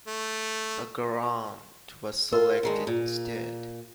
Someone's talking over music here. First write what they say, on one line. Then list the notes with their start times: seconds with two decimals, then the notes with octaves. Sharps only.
The Garand was selected instead.
0.08 A3
2.32 F4 A#4
2.63 D3 D#3 G#3
2.87 A#2